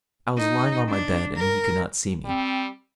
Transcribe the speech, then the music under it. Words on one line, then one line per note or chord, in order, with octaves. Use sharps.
I was lying on my bed, and he could not see me.
D#4
D4
A#4
G3 C4